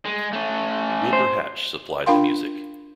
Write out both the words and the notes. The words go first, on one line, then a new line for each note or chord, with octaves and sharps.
Wilbur Hatch supplied the music.
G#3
A3 C#4
C5
D4 F4 A#4 F5 G5 C6